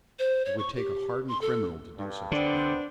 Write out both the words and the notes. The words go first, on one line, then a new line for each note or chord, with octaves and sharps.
It would take a hardened criminal to do such a thing.
C5
C#5
C#6
G4
C6
A4
G2
D3 B3 C4 D4 C5